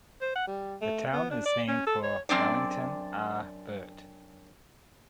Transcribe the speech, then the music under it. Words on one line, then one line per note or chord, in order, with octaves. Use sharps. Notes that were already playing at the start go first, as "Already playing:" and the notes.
The town is named for Wellington R. Burt.
C5
F#5
G3
A3
B3
D4
D5
C#4
A4
C#5
F#2 C4 D4 D5